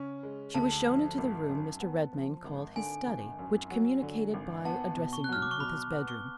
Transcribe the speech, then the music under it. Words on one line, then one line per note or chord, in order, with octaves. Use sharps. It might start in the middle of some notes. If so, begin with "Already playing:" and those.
She was shown into the room Mr. Redmain called his study, which communicated by a dressing-room with his bedroom.
Already playing: C#3 C#4
G#3
D2 A5
F3
G#1
F#2
B3
F3
G#1
D3 G#5
G#1
F#2
F#3
D3
G#1
B3 A5
B2
C#6
F#6
F#3 F6
D6
C#6
B2 B5
B3
C#6